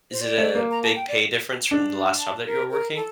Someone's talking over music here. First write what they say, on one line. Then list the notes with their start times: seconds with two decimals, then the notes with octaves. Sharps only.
Is it a big pay difference from the last job that you were working?
0.12 C5
0.21 D5
0.38 A3
0.55 A#3
0.71 A#5
0.83 A5
0.96 G5
1.08 D5
1.71 D4
2.20 A5
2.46 A#4
2.71 A#4
2.96 A4